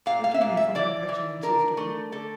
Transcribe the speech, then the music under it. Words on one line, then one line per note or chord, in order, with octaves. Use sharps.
Forgive me for my petulance yesterday!
A#2 F5
F5
E5
A#2 F5
E5
E3 D5
E3
D4 A#4
A3
D3 A4